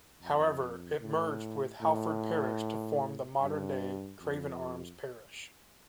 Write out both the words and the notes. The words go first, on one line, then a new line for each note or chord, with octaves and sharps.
However it merged with Halford parish to form the modern day Craven Arms parish.
F2
A2
A2
G2
F2